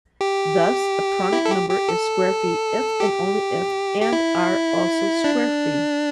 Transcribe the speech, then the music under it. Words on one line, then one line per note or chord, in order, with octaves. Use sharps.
Thus a pronic number is squarefree if and only if and are also squarefree.
G4
E4
A4
G4
G4
A4
G4
G4
E4
D4